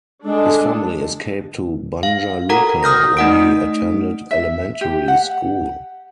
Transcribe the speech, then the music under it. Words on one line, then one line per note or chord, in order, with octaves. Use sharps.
His family escaped to Banja Luka, where he attended elementary school.
G#3 D4 A4
F5
F#4 A4 A#4 F#5 A#5
D#6 F6 G6 A#6
A3 D#4 D#5 F#5 D#6 D7
E5
G4
F#5